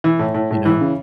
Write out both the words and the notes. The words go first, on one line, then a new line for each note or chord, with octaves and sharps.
you know?
E3
A2
A2
A2
E3
C#3